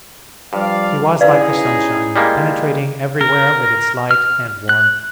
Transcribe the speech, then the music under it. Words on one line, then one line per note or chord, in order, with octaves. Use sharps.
She was like the sunshine, penetrating everywhere with its light and warmth.
G2 F3 G3 D5 F5
C#4 D#4 E4 G#4 B4 D5 F5
G3 G#3 A#3
A#4
F6
F#6